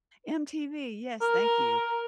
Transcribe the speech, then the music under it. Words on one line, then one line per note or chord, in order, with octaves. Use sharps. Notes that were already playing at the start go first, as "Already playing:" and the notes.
MTV, yes, thank you.
A#4